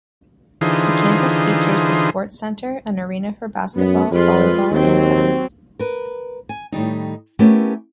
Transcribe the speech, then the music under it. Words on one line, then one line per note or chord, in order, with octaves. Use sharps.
The campus features the Sports Center, an arena for basketball, volleyball, and tennis.
D3 E3 D#4 F4 G#4 C5
F#2 B3
F2 G#3 F4 B4
D#2 F#3 C4
A#4 B4
G#5
A2 D#3 G3 D#4
A3 B3 C#4 E4 G4 A#4